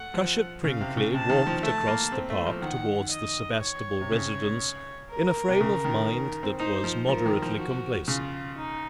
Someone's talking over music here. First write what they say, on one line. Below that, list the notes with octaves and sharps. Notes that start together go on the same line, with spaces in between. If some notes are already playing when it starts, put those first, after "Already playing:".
Cushat-Prinkly walked across the Park towards the Sebastable residence in a frame of mind that was moderately complacent.
Already playing: A3 F#5
F3
C#3 F5
C3
C#3
C3 A5
D#3
F3
A3 A5
A#3
C4
A3
F3
D#3 F#5
D#5
C#5
C3
C#3
A#4
C3
C#3
D#3
C4
D#4 C5
F3
F3 A#4
D#3
F3
F#4
C#3 F4
D#4